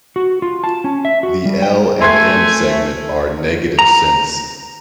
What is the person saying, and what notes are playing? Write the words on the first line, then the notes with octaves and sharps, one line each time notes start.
The L and M segment are negative sense.
F#4
F4
A5
C#4
E5
F#4
G3
G5
A3 G#5 C6 G#6
A#5